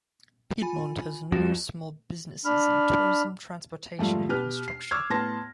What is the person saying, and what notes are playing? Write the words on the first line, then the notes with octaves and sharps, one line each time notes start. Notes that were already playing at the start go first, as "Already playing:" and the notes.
Piedmont has numerous small businesses in tourism, transportation, and construction.
F4 G#5 B5
F2 F#4
D4 B5 F6
F2 G#2 G3 A3 F4
B2 G4 B4 F6
C7
C#6 D6 E6 F6 G#6
A2 B3 A5 C6 A#6